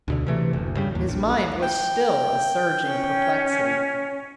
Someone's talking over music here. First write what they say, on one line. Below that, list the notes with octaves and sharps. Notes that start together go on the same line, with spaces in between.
His mind was still a surging perplexity.
D2 B2 D3
C3 E3 A3
F#1 D2
G2 C#3 G3
A1 D#2
A#1
G5
C#4